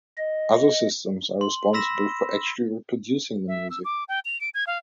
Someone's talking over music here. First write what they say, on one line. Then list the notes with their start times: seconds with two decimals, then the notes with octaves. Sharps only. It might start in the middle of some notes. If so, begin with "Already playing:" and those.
Other systems are responsible for actually reproducing the music.
0.17 D#5
1.41 C6
1.73 B5 C6 E6 A#6 B6 E7
3.48 E5
3.70 E6
3.85 D6
4.09 G5
4.25 F7
4.41 D7
4.54 G#6
4.67 F5